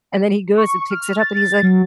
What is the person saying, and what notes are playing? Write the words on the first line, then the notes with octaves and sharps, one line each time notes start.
and then he goes and picks it up and he's, like,
C#6
F6
A6
F#3